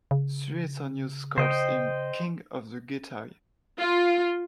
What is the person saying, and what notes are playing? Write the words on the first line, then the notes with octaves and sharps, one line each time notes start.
Suetonius calls him king of the Getae.
C#3
C#3 C5 D#5 G5
F4